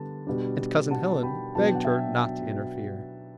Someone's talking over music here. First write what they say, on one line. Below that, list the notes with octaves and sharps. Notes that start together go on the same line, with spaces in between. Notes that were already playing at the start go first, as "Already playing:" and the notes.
And Cousin Helen begged her not to interfere.
Already playing: D3 G3 B3 A5
B2 G3 D4
F#5 A5
G5 B5
B2 F#3 B3 D4 A5
G5
F#5
E5 G5